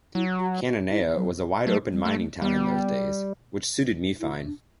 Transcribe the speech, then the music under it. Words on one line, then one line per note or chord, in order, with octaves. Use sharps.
Cananea was a wide-open mining town in those days, which suited me fine.
F#3 E4
F#4
F#4
E4
F#3
F#3 A3
G3
A3
A3
G3 B3
E4
D4